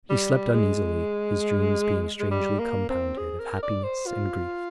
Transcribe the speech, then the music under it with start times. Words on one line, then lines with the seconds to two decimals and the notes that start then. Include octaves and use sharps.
He slept uneasily, his dreams being strangely compounded of happiness and grief.
0.10 G3
0.54 G#3
2.20 G#3
2.31 G3
2.59 A#3
2.89 C4
3.18 G#4
3.40 A#4
3.63 D5
3.84 C5
4.07 F4